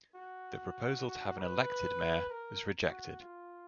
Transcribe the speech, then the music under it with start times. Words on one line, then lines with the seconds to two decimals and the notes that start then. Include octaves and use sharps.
The proposal to have an elected Mayor was rejected.
0.15 F#4
1.07 F#4
1.38 B4
2.29 A#4
2.89 F#4
3.20 F4